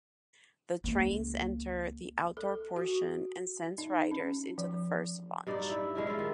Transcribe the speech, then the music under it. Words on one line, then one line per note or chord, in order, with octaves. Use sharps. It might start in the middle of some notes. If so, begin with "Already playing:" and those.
The trains enter the outdoor portion and sends riders into the first launch.
C#2 A#3
A4
F#4
D#4
C#4
F3
G2 D#4 D5
E4
G#3 C#4 E4
E4 F4
D#3